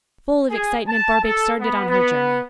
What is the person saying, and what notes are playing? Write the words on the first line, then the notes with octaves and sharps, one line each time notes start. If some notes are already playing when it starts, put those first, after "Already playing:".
Full of excitement, Barbaik started on her journey.
G#4
A5
A4
B3
B3